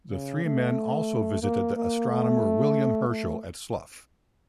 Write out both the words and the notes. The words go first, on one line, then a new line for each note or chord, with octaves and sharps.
The three men also visited the astronomer William Herschel at Slough.
C#3
A3
A#3
A#3
A3
A3